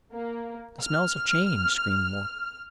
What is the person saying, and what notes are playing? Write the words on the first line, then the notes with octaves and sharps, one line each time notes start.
"The smells have changed," screamed Mor.
A#3
F6